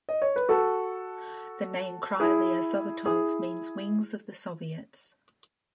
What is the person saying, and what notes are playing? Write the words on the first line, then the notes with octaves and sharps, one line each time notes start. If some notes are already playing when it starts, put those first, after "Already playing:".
The name "Krylia Sovetov" means "Wings of the Soviets".
D#5
C#5
B4
F#4 A4
E4 G#4
E4 G#4